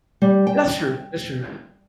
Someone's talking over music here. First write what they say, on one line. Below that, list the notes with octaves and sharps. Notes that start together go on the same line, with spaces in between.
That's true that's true.
G3
G5